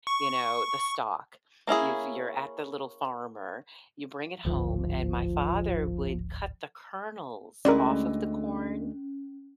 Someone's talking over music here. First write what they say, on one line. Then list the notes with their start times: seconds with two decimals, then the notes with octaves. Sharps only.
you know, the stalk. You've you're at The Little Farmer, you bring it home, and my father would cut the kernels off of the corn,
0.07 C#6
1.67 A#3 C#4 E4 G#4
4.45 D1 G#1 D2 F3
7.65 D2 G#3 C#4 E4 A#4 D5